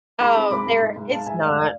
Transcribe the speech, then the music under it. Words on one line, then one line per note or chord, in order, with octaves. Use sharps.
Oh, there it's not.
G#3 B5 D6
C4
G#2 B5 D6
G#2
G#2
G#2
G#2 F5 A5
G#2 E5 G#5
F1 D5 F5